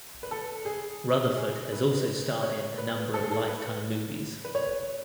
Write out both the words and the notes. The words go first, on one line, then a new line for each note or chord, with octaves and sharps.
Rutherford has also starred in a number of Lifetime movies.
B4
A4
G#4
G#4
B4
C#5
B4
A4
G#4
A4
B4
B4
C#5